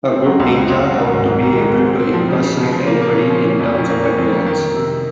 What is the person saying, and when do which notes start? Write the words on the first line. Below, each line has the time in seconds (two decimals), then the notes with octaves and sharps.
A good ninja ought to be able to impersonate anybody in terms of appearance.
0.12 C4
0.26 F#3
0.40 C#2
0.55 C4
0.69 C#2
0.84 F#3
0.99 D#3
1.13 G#2
1.27 G#2
1.42 D#3
1.56 G#3
1.71 D#3
1.86 C4
2.00 C4
2.14 F3
2.29 C#3
2.43 C#3
2.57 C#3
2.73 F3
2.87 A#3
3.01 A#3
3.15 C#4
3.30 F3
3.44 C#4
3.59 F2
3.74 C#4
3.88 A#3
4.03 C#4
4.18 F2
4.32 A#3
4.46 D#3
4.61 D#3
4.75 C3